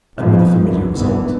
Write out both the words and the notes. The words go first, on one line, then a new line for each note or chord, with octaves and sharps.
And with the familiar result.
F2 G#2 B2 E3 F3
C#2 F#2 D3 E3
F1 C2 G#2 D3 E3 B3